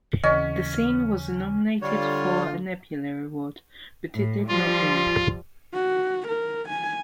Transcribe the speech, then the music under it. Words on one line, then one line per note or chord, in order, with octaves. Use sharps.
The scene was nominated for a Nebula Award, but it did not win.
D#2 C#3 E3 C#4 D#5
D3 G3 F4 C#5
A2
F3 G3 F4
F#4
A#4
G#5